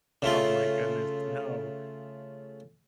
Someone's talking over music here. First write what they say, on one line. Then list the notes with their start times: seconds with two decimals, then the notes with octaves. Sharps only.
Oh my goodness. No.
0.22 C#3 A3 F4